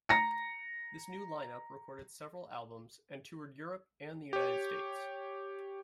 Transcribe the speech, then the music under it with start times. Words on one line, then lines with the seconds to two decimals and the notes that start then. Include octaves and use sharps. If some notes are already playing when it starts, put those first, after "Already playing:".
This new line-up recorded several albums and toured Europe and the United States.
0.09 A#5 A#6 C#7
4.33 G4 C#5